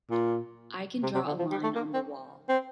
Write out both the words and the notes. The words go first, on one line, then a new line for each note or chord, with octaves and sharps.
I can draw a line on the wall.
A#2
C3
C3
D3
F3
G3
A3
A#3
C4
C4